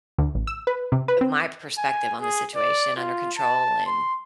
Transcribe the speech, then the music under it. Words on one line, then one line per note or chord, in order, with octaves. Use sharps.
My perspective on the situation under control and
D2
A1
E6
B4
C3
B4
C4
G#5
G#4
D5
F4
A5
C6